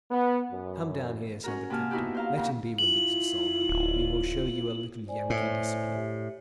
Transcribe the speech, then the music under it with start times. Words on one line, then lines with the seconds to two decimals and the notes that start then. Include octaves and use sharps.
"Come down here," said the captain; "let him be released, Solomon; we will show you a little Yankee discipline."
0.11 B3
0.51 F#2
1.44 C#4 F#4 A#4
1.70 C3 A#3 G#5 A5 F6
1.91 B3 D#4 E4 F#4 G4
2.15 C5 F5 A#5
2.37 F2 A#2 A#3
2.78 E4 F4 F#7
3.69 D1
5.07 C5 D5 G#5
5.30 A2
5.93 G4 E5